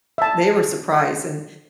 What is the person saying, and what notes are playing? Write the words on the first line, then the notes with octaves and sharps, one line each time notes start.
they were surprised, and
E5 A5